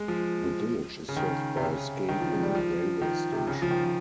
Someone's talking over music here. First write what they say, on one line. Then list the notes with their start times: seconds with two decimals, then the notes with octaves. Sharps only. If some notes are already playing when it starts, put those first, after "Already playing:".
The village is served by Skewen railway station.
Already playing: G#3
0.08 F3
1.09 C#3
1.16 D#3
1.57 C3
1.63 C#3
2.09 D#3
2.20 F3
2.32 G#3
2.43 G3
2.55 F3
3.01 D#3
3.32 C3
3.47 C#3
3.62 F3
3.71 D#3
3.84 F3